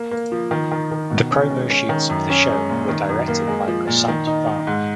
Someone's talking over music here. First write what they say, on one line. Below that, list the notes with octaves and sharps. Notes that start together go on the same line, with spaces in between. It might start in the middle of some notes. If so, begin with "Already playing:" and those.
The promo shoots of the show were directed by Prasanth Varma.
Already playing: A#3
A#3
F3
D#3
D#3
D#3
B2
C#4
G#3
C#4
D#3
F#2
C#4
G#3
A#2
D#3
F#2
A#3
G#3
F3
A#2
D#3
D#4
D#4
G#2